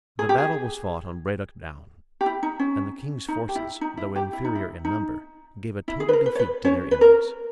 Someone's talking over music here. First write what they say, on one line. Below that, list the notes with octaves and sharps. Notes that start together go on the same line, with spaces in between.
The battle was fought on Bradoc Down; and the king's forces, though inferior in number, gave a total defeat to their enemies.
G#4
G4
G#4
G4
E4
D#4
C#4
D#4
G4
E4
D#4
E4
G4
E4
D#4
E4
D#4
E4
G#4
B4
A#4
B4
C#5
B4
C#4 C#5
B4
A#4